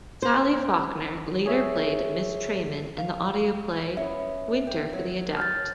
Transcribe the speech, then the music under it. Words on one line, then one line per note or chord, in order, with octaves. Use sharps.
Sally Faulkner later played Miss Tremayne in the audio play "Winter for the Adept".
C5
G#4 C#5 E5
F5
B3 C#4 E5
G4
F#3
F6 G6 A6